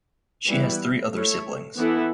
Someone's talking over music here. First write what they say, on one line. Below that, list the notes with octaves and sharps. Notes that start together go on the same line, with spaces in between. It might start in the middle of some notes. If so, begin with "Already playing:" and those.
She has three other siblings.
E3 G3 B3 E4 B4
A3 E4 A4 C#5
E3 B3 E4 A4